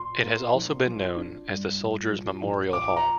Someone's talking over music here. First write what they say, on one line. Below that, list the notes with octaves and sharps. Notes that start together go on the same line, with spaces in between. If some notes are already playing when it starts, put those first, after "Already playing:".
It has also been known as the "Soldiers' Memorial Hall".
Already playing: A#2 C6
A#3
A#1
F3
D4
G2
A#2
F3
A#1
A#2 D6
A#5